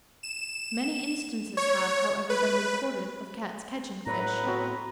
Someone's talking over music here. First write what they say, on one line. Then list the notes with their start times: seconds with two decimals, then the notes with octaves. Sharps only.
Many instances have, however, been recorded of Cats catching fish.
0.23 E7
1.57 C#5
2.30 B4
4.06 A2 F#3 B4 A#5
4.44 B3 C4 F#4